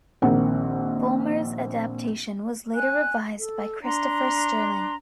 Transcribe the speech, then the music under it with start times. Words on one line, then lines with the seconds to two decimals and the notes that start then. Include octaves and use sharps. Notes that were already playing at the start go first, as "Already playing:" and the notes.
Fullmer's adaptation was later revised by Christopher Sterling.
0.22 A#1 D#3 C4 F#5
2.73 G#5 F#6
3.36 A4
3.82 D4 A#5 C6